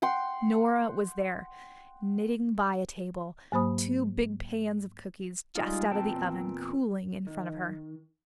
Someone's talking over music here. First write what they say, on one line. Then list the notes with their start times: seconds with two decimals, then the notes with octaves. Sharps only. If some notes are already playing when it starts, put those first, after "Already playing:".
Nora was there knitting by a table, two big pans of cookies just out of the oven cooling in front of her.
0.02 F#5 G5 C6
3.52 G#2 F#3 A#3 C5 B5 D#6
5.56 G3 G#3 D#4 F4
5.90 E2 A#2 C4 G5 A5
7.27 D#3